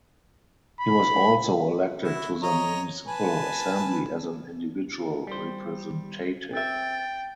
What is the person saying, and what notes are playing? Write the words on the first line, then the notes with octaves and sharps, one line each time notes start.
He was also elected to the municipal assembly as an individual representative.
B5
E4 F#4
C#5 D#5 A#5
B4 G#5 A5
G3 C5
C4 E5 G5 A6